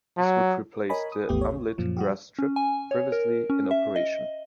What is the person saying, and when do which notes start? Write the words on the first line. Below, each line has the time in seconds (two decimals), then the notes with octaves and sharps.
This would replace the unlit grass strip previously in operation.
0.17 F#3
0.90 A#4 C#5 D#5 G#5 B5
1.12 D#6
1.29 G#1 D#2 E3 A3 B3 G4
1.41 C#5
1.78 F#2 A#2 F3
1.97 G3 F#4 G4
2.39 C#4
2.56 G#5
2.91 C#5
3.12 A#4
3.50 C#4
3.71 E5
3.96 D#5